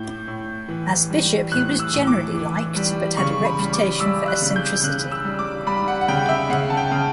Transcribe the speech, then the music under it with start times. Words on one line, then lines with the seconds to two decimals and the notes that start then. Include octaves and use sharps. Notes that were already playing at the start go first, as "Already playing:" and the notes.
As bishop he was generally liked, but had a reputation for eccentricity.
Already playing: A2 G6
0.28 A2
0.68 E3
1.10 G3
1.52 A2 F#6
1.79 E6
1.93 A2
2.07 D6
2.35 E3
2.76 G3
3.17 C#3 C#6
3.45 B5
3.59 G3
3.73 D6
4.00 G3 E6
4.28 F#6
4.42 C#3
4.56 G6
4.83 C#3 F#6
5.11 E6
5.25 G3
5.39 D6
5.67 G3 B5
5.88 F#5
6.01 F#5
6.08 C#3 G5
6.29 E5
6.50 C#3 F#5
6.70 A5
6.77 G5
6.92 C#3